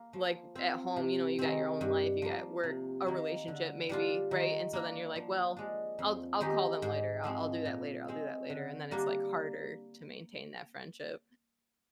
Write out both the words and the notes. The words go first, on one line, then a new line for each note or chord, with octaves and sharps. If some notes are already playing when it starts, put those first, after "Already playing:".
like, at home, you know, you got your own life, you got work, a relationship maybe, right, and so then you're. like, well, I'll I'll call them later, I'll I'll do that later, I'll do that later, and then it's, like, harder to maintain that friendship.
Already playing: A#3
F3
C4 F4
C3
D#3 G#3 C4
G2
F3 A#3
C3
D#3 A#3
D3
G3 D4 F4
D#3
A#3 D4
F3
G#3 D4
F2
D#3 G#3 D#4 G4
G#2
F3 G#3 C4
A#2
G#3 C4
D3
G3 A#3 D4